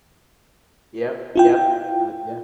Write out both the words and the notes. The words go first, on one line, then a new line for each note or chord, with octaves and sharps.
Yep, yep. I yeah.
E4 F4 G5